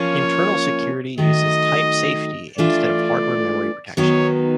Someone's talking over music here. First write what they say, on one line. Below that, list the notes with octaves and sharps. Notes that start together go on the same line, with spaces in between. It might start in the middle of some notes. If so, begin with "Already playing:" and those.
Internal security uses type safety instead of hardware memory protection.
Already playing: F3 A#3 C#4 F4 C#5
D#3 F#3 A3 D#5
E3 A3 D4 F4 D5
D#3 F#3 B3 D#4 C#5